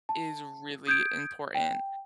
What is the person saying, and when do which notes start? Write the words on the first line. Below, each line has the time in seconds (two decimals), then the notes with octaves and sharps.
is really important.
0.09 A5
0.87 D#6 G6 G#6 D7
1.55 G5